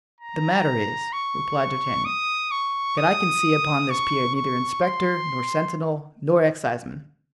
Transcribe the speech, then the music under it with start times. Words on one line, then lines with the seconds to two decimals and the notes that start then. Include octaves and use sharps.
"The matter is," replied D'Artagnan, "that I can see upon this pier neither inspector nor sentinel nor exciseman."
0.20 A#5
1.13 C#6
2.05 D#6
2.51 C#6
2.97 D#6
3.90 C#6
4.35 C#6
4.82 C6